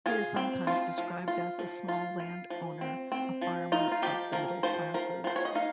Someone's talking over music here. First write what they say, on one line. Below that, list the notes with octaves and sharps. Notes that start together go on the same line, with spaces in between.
He is sometimes described as a small landowner, a farmer of the middle classes.
F4 G#4
C4
F3 F4
F3
F4
F3
F4
F4
F3
C4
C4
F3
D#4 F4
F4
F3 G4
F3 A#4
F3 C5
F3 A#4
F3 C5
C#5
D#5
D#4 F5